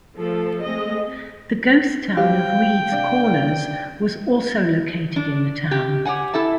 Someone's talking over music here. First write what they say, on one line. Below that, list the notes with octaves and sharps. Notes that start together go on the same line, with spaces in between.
The ghost town of Reeds Corners was also located in the town.
F3 A3 A4
G#3 A3 C4 D#5
G3 C4 F#4 G4 F5 G5
C3 D4
D4
G4
G4 C#5 F#5 G#5
E4 A4 E5 A5